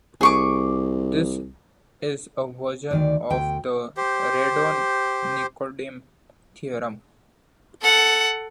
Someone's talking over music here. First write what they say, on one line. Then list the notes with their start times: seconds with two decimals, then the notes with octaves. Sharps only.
This is a version of the Radon-Nikodym theorem.
0.21 C2 G#4 C#6 D6
2.91 D2 D#3 D5
3.30 D2 G5
3.97 G4 C5
7.81 A4 F#5